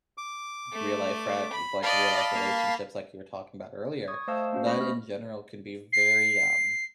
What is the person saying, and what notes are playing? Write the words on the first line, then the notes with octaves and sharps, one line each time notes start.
real life frien like, real life relationships like you were talking about earlier, that in general can be very, um,
D6
A3
B5
D5 D#5 F5 A5 B5
A#3
C#6 D#6 G#6
A3 C5 D#5 F5 A5 E6
A#3 C#4 F#4 C5
A3 D#5 B5 C#6 A#6
F6
C7